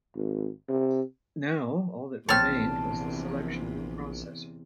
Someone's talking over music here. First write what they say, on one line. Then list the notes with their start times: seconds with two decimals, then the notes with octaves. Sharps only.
Now all that remained was the selection of a processor.
0.16 G#1
0.69 C3
2.29 A#1 E2 C3 C4 C#5 A5 F6